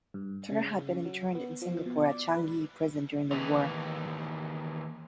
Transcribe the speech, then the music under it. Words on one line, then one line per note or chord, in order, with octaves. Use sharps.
Turner had been interned in Singapore at Changi Prison during the war.
G2
C#3
F#3
B3
F3
B2
D5
B4
D#2 E3